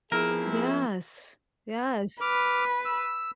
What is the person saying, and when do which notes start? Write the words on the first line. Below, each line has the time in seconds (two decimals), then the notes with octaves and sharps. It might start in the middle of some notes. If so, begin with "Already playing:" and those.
Yes. Yes.
0.12 F2 F3 B3 E4 G#4 A#4
2.21 B4 D6 F6
2.85 E6